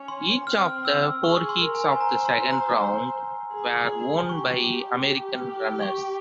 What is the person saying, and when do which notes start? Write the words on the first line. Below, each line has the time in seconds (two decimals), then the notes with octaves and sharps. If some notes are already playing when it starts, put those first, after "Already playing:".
Each of the four heats of the second round were won by American runners.
Already playing: C#4
0.08 C6
0.47 C4 F6
0.85 E6
1.24 G#4 C#6
1.49 C6
1.62 A#4
1.75 G#5
1.92 G#5
2.00 C5 A#5
2.25 C6
2.51 A#5
3.53 G#4
4.29 G4 C#6
5.83 C#6